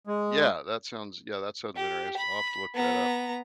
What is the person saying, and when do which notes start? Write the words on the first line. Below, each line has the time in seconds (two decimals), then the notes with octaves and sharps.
Yeah, that sounds yeah, that sounds interesti I'll have to look that up,
0.07 G#3
1.76 G4
2.17 B5
2.74 B3 A#5